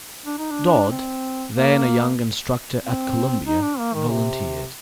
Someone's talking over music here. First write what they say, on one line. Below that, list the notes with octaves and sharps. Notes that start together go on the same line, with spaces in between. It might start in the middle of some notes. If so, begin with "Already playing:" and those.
Dodd, then a young instructor at Columbia, volunteered.
D4
D#4
D4
C4
A#3
C4
D#4
D4
A#3
D#3
C3